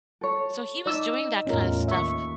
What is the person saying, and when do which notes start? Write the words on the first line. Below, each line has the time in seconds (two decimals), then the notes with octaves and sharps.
So, he was doing that kind of stuff
0.21 A4 C#5
0.86 D#4 D5 D#5 E6
1.47 E2 A2 C#4 F4 A#4
1.88 D#2 E5 C#6